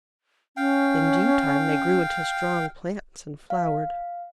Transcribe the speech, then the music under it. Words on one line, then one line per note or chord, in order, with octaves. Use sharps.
In due time they grew into strong plants and flowered.
C#4 F5 G5
F5